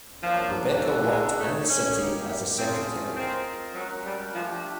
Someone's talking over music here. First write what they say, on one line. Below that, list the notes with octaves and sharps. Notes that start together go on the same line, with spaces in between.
Rebecca worked in the city as a secretary.
F3 F#3 A#3 D4
D4 F#4 A4
G#3
A3 D#4 G#4 C#5
C#4
A#3 D#4 G4
A3 C4 C#4 F4 G#4
C4 F4 A#4 D#5
F#3 G#3 C#4 F#4 A#4
G3
F3 A3 D4 G4